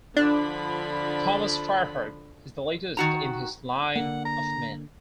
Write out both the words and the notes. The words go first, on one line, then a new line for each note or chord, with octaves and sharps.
Thomas Fireheart is the latest in this line of men.
D3 F3 D4 B5
D#3 F#4 A#5
D3 A#3 F#5
A#5